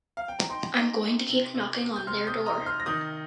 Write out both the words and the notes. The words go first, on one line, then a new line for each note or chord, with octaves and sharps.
I'm going to keep knocking on their door.
F5
G5
A#5
D#4 G5 C6
D#4
D#4
C3
C3
C3
G6
C3 C6 F6
D#6 G6
C3
A#5 D#6
D#4
C6 F6
A#6
D#3 D#6 G6